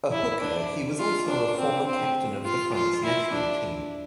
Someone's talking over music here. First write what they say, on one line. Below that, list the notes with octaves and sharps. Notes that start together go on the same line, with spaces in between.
A hooker, he was also a former captain of the France national team.
E4
D4
F4
D4
C4
C4
F4
F4
E4
D4